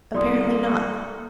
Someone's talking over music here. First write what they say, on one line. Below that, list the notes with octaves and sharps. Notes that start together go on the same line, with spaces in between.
Apparently not.
C2 A#3 A4 D5 C6 D#6